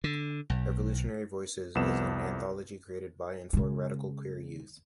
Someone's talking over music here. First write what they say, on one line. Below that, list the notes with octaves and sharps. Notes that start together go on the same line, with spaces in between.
Revolutionary Voices is an anthology created by and for radical queer youth.
D3
B1
C2 F2 B3 E7
C#3 G#3